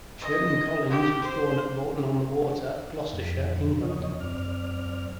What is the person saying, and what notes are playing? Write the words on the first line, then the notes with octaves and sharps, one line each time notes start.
Churton Collins was born at Bourton-on-the-Water, Gloucestershire, England.
D#5
G4
C5
F2 A#2
E2 C#3 F3 C#5 D#5
F#2 C4 D5 F6